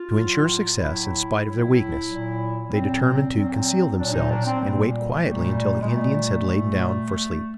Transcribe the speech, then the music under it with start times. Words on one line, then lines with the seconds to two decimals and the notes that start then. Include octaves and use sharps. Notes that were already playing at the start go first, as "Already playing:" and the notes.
To insure success in spite of their weakness, they determined to conceal themselves and wait quietly until the Indians had lain down for sleep.
Already playing: F4
0.17 A2 F#3
0.80 A2 F#3 E4
1.44 A2 F#3 E4
2.07 A#2 F#3
2.71 A#2 F#3 C4
3.33 A#2 F#3 C4
3.97 A#2 F#3 D4
4.13 D#4
4.30 D4
4.45 C4
4.60 A#2 G3 A#3
5.24 A#2 G3 A3
5.80 G#3
5.87 A#2 G3 A3
6.51 A#2 G3